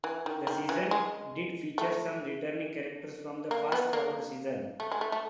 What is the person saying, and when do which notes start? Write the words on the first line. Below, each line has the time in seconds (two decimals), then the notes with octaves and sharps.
The season did feature some returning characters from the "Fast Forward" season.
0.04 E3
0.26 D#3
0.47 D#3
0.69 E3
0.91 G#3
1.78 A3
3.51 A#3
3.72 B3
3.93 A#3
4.80 A3
4.92 G#3
5.01 A3
5.12 A3